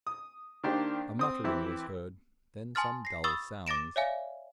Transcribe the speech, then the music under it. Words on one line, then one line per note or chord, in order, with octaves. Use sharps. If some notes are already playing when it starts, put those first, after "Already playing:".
A muttering was heard; then some dull sounds.
D#6
D#3 A#3 D4 G4 C5 D5
C4 D#6
E3 C4 E4 G4
G#5 A5 C6 D#6 F6 A6
A#6 C7
B5 C#6 D#6 E6 A6
D6 A6 A#6 D7 E7
C#5 D5 E5 F5 G#5